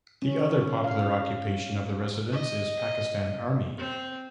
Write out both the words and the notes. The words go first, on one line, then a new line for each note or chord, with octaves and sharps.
The other popular occupation of the residents is Pakistan Army.
C#4
F5
D#5
C4